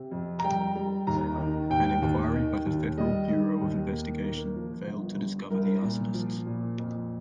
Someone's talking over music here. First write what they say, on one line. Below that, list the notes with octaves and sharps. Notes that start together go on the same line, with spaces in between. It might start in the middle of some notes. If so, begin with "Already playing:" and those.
An inquiry by the Federal Bureau of Investigation failed to discover the arsonists.
Already playing: C3
F2
A#5
G3 G5
G3
D#2 A#5
D#3
D#2 G5
D#2
D#3
D#2
G3 D#5
D#3
D#2
A#3
A#3
F3
G1
G2
C2 A#4
A#2
F3
A#2
F2